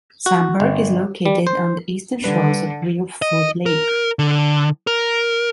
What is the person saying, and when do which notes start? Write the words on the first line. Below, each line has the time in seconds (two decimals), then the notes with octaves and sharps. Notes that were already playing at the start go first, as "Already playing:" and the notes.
Samburg is located on the eastern shores of Reelfoot Lake.
0.26 F#4
0.60 G1
1.26 G3
1.47 C5
2.24 D3 G3 B4
3.22 D#5
3.66 A#4
4.19 D3
4.87 A#4